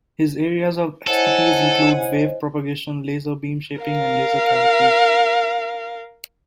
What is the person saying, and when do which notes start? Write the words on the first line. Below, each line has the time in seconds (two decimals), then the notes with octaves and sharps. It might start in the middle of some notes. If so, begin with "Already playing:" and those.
His areas of expertise include wave propagation, laser beam shaping and laser cavities.
1.07 E4 A4 C5 C#5 D#5 F#5 G#5
3.81 A#4 F5